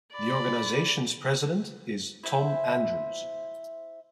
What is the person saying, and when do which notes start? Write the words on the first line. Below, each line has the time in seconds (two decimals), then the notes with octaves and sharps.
The organization's president is Tom Andrews.
0.13 D5 B5
2.24 E4 C5 E5